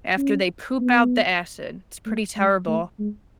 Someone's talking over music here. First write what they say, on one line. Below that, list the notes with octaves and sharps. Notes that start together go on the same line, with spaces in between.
after they poop out the acid. It's pretty terrible.
C#4
B3
A3
G#3
A3
G#3